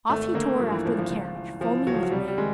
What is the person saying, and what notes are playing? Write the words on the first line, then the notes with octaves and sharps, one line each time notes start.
Off he tore after the carriage, foaming with rage.
G#1 A3
D3 A#3
G2 F3
E3
G#1 F3
F3
C#2
E3
E3 F3
C#2 F#3
F3
F#3
C3 G3
G3
D#3 G#3